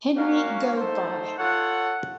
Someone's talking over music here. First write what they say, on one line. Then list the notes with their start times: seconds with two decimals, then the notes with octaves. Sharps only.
Henry Goadby.
0.15 A#3 C#4 F#4 A#4 F5
0.77 A3 D#4 A4 C5
1.38 F4 A4 C#5 F#5